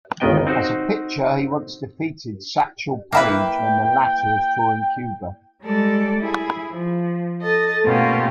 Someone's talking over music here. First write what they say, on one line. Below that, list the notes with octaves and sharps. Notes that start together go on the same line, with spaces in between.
As a pitcher, he once defeated Satchel Paige when the latter was touring Cuba.
G1 C#2 D#3 B3 D#5 G5
C4 D#4 F#4 C5
A#3 E4 B4 G5
G3 G#3 A4 D5
E4 G#4
F3
A4 D#5 A6
B2 A3 A#3 C#4 F4 G4